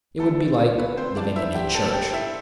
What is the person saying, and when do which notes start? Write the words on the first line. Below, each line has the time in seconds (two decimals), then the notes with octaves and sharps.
It would be like living in a church.
0.20 D3 G3 A3 B3 A4
0.78 B3 B4
0.97 C4 C5
1.17 D4 D5
1.36 E4 E5
1.55 G4 G5
1.75 A4 A5
1.94 G4 G5
2.13 E4 E5